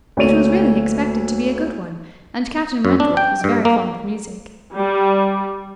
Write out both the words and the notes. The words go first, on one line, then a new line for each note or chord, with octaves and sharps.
It was really expected to be a good one, and Captain Wentworth was very fond of music.
D2 A3 A#3 C#5 D#7 F7
F#2
D4
G5
G2
A#3
G3